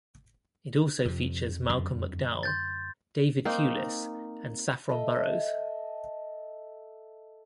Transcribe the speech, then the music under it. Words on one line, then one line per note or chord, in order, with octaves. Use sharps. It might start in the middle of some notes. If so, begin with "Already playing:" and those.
It also features Malcolm McDowell, David Thewlis and Saffron Burrows.
F2 C3 F3
F#2 D3
C6 G6 A6
A#3 C4 D#4
A4 D#5 E5